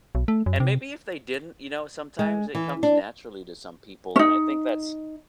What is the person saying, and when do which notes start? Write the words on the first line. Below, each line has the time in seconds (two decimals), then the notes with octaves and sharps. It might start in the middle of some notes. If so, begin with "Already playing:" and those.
and maybe if they didn't, you know, sometimes it comes naturally to some people, and I think that's
0.15 B1
0.28 A3
0.46 F#2
0.60 C3
2.19 G#3
2.55 E3
2.83 D4
4.16 C#4 D#4